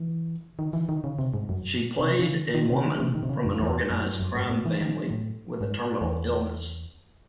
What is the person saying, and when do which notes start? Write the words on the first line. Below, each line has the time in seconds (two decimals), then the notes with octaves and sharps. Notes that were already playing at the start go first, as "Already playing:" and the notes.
She played a woman from an organized crime family with a terminal illness.
Already playing: E3
0.59 D#3
0.73 E3
0.89 D#3
1.04 C#3
1.19 C3
1.34 G#2
1.49 F#2
1.99 C3
2.19 C#3
2.32 E3
2.39 D#3
2.54 D#3
2.69 C3
2.79 C#3
2.85 D#3
3.00 C3
3.15 D#3
3.23 C3
3.29 C#3
3.45 F#2
3.60 E2
3.90 F#2
4.20 F#2
4.35 G#2
4.50 A2
4.65 E3
4.81 D#3
5.10 A2
5.61 G#2
6.01 E2